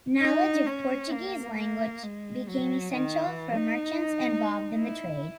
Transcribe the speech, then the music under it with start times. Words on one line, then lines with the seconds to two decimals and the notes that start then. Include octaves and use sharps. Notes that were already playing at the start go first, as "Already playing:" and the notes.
Knowledge of Portuguese language became essential for merchants involved in the trade.
0.22 D#4
0.66 C#4
1.12 A#3
1.59 A#3
2.04 G#3
2.49 F#3
2.95 D#3
3.25 E3
3.55 D#4
4.78 E4